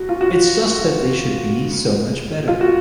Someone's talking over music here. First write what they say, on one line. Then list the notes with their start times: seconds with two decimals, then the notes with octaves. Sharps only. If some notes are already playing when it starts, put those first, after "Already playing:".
It's just that they should be so much better.
Already playing: F#4
0.09 F4
0.21 F#4
2.48 F4
2.61 F#4